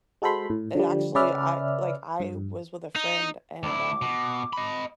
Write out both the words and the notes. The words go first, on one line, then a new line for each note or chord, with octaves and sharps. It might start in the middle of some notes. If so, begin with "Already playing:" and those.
and, actually, I like, I was with a friend, and, um,
G#3 F#4 A4 C5 B5 C6
A2
D3 F3 G3
C#3 C#4 B4 D5 E5 F6
G2
D#4
D2 E4 D6
B2
D#5 B5